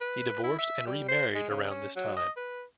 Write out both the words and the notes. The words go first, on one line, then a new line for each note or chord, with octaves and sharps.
He divorced and remarried around this time.
B4
E4
E5
G3
C5
G#3
C#3
C#4
F#3
D#5
B4